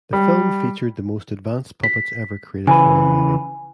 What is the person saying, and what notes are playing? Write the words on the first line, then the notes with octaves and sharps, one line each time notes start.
The film featured the most advanced puppets ever created for a movie.
G3
B6
C#3 E3 B4 G#5